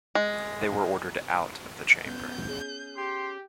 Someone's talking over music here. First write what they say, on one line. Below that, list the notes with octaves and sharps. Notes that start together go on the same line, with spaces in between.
They were ordered out of the chamber.
G#3
B3 C#4 G6
C#4 G#4
G4 C6